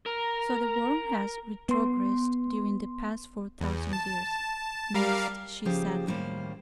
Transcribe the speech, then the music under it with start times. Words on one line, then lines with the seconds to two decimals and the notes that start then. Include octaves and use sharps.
"So the world has retrogressed during the past four thousand years," mused she sadly.
0.06 A#4 A#5
1.69 B3 C6
3.61 E2
3.93 A5
4.95 G3 A#4 F5
5.65 C#3 F3 A#3 G4 G#4 C5
6.07 D#2 A2 G3 A#3 C#4 C5